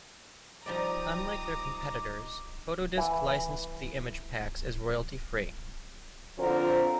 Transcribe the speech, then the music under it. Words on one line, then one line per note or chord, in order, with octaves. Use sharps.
Unlike their competitors, Photodisc licensed the image packs as Royalty Free.
F3 G3 D#4 D5 A#5 D6 D#6
E3
D3 F3 C4 F4 A#4